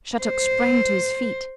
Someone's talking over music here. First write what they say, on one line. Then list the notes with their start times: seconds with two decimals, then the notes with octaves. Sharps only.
Shattuck sprang to his feet.
0.23 C5